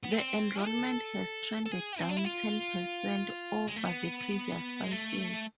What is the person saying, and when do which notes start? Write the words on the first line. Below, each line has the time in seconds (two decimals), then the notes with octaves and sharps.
The enrollment has trended down ten percent over the previous five years.
0.03 B3
0.11 C4
0.64 A4
1.66 A4
1.72 G#4
2.01 C4
2.09 D4
2.17 E4
2.25 F4
3.68 G#3
3.76 A3
3.85 B3
4.84 G#3
4.92 A3